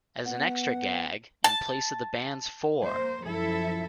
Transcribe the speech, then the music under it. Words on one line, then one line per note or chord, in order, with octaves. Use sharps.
As an extra gag, in place of the band's Fore!
B3 F#5
A5
A#3 C5
F#2 F3 E4 A4 E5